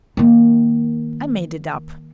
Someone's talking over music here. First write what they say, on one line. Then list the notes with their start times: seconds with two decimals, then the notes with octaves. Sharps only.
I made it up.
0.17 D#3 A#3